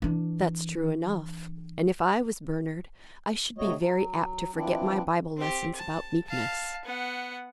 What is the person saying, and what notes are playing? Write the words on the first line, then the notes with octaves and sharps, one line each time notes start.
"That's true enough; and if I was Bernard, I should be very apt to forget my Bible lessons about meekness."
E3 D4
D2 C3 A3 F#4 C#5 D#5
F#3
E3 F3 C4 D4 E4
C4 G4
A5
F5 A5
B3 F#5